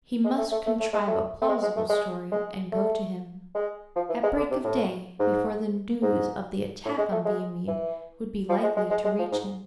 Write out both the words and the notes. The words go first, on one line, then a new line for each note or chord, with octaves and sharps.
He must contrive a plausible story, and go to him; at break of day, before the news of the attack on Viamede would be likely to reach him.
G#3
A3
A3
A3
A3
G#3
A3
A3
G#3
G#3
A3
G#3
G#3
A3
G#3
F3
E3
G#3
D3
C3
A2
G#2
G#2
A2
G#3
A3
G#3
E3
F3
G#3
G#3
G#3
G#3
F3
G#2